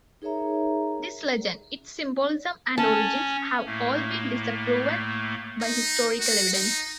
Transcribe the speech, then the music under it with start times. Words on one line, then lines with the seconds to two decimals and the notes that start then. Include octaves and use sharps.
This legend, it's symbolism and origins, have all been disproven by historical evidence.
0.22 D#4 G#4 A#4 C#5 E5 A#5
2.78 C#4 A5
3.66 A2 A3 A#3
5.61 D#4
6.21 F#4
6.53 D#4